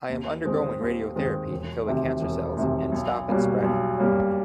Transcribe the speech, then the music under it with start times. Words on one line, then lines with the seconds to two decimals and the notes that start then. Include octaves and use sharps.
I am undergoing radiotherapy to kill the cancer cells and stop it spreading.
0.09 D#2
0.45 D#3 G#3 C4
0.81 D#2
1.16 D#3 G#3 C4
1.50 E1
1.86 D2 C3 D#3
2.21 E1
2.57 D2 C3 D#3
2.92 B1
3.28 B2 G3 A#3 C#4
3.63 B1
3.98 B2 G3 A#3 C#4